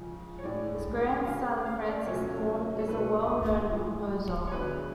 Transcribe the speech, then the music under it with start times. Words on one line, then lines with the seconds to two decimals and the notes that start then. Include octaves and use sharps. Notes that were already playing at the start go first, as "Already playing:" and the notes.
His grandson, Francis Thorne, is a well known composer.
Already playing: C#2 C#3 F3 G#3
0.39 C#5
0.43 A2 G#3 D4 D5
1.25 C#3 G#3 C#4 F5
1.66 F5
1.86 D5
2.06 C#2 B2 F#3 C#4 C#5
2.79 A4
2.88 B2 A3 D4 B4
3.70 A2 F3 G#3
4.47 C#5
4.51 D2 D3 G#3 B3 B4